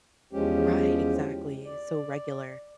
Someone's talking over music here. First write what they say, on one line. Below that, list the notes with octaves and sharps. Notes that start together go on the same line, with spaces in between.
Right, exactly, so regular.
E2 F3 G#3 C#4 G4
D5